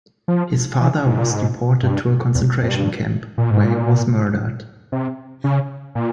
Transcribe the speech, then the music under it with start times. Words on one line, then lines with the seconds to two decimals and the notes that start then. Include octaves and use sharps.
His father was deported to a concentration camp, where he was murdered.
0.28 F3
0.80 E3
1.06 G#2
1.18 A#2
1.31 G#2
1.83 G2
2.35 E2
2.62 F2
2.69 G2
3.38 A#2
3.51 G#2
3.64 A#2
4.92 C3
5.44 C#3
5.95 A#2